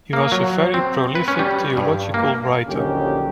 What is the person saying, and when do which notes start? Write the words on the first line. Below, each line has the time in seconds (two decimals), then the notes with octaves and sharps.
He was a very prolific theological writer.
0.13 A#3
0.32 F#3
0.74 C4
1.15 B4
1.28 C#4
1.39 G3
1.77 G2
2.14 A#3
2.67 A#1 D#2 D3 F#3 C#4 G4